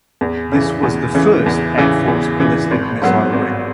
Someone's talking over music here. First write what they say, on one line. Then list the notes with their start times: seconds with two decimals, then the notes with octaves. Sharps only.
This was the first Air Force ballistic missile wing.
0.21 E2
0.52 C#3 E3
0.83 E2
1.14 C#3 E3
1.46 E2
1.77 C#3 E3
2.08 E2
2.40 C#3 E3
2.71 G#1
3.02 G#2 F#3 B3
3.33 G#1